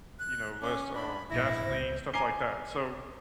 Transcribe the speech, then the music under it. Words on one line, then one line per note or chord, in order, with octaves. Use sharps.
you know, less, um, gasoline, stuff like that, so
F#6
C#4 D6
D4 B5
A#1 G#2 E4 A#6
C#2 C5
G#5 A#5 D6 C7 G7